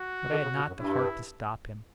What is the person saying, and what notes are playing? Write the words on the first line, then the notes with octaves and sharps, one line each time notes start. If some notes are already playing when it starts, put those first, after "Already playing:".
But I had not the heart to stop him.
Already playing: F#4
D3
C#3
B2
F#2
G2 E4